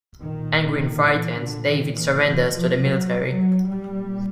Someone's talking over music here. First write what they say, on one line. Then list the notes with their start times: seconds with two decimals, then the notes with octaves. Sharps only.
Angry and frightened, David surrenders to the military.
0.22 A#2 D#3
1.09 E3
1.38 D3
1.67 D#3
1.96 E3
2.25 E3
2.53 F3
2.82 F#3
3.26 F#3
3.69 A#2 G3